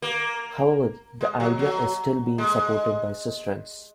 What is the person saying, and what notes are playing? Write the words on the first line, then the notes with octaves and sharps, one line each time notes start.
However the idea is still being supported by Sustrans.
A#3
G#3
F#3
F#3
G#3